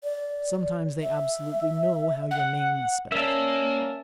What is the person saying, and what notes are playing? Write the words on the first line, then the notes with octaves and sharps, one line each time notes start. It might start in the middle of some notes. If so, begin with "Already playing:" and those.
Sometimes they absolutely know how your name is spelt!
D5
E5
F#5
A#3 C#4 A#4 D5 E5 A5